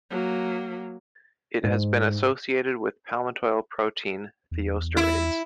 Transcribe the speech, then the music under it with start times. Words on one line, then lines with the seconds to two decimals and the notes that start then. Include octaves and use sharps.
It has been associated with palmitoyl-protein thioesterase.
0.10 F#3 A#3
1.63 G#2
4.51 E2
4.97 E4